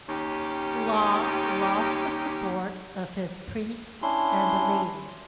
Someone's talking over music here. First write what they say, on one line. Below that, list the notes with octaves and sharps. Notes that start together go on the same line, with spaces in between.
Law lost the support of his priests and the laity.
D#2 C#4 G4
C#4 D4 E4 C6